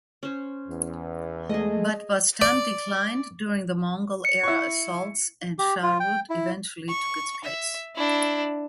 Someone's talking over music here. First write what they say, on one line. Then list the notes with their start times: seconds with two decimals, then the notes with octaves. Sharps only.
But Bastam declined during the Mongol era assaults, and Shahrud eventually took its place.
0.23 C#4 C5
0.68 E2
1.50 G#3 A3 G#4 D#5
2.42 D5
4.25 C#7
4.43 E4 C#6
5.59 G4
5.83 F4
6.00 G5
6.30 E4
6.88 C#6
7.44 E5
7.96 D4 E4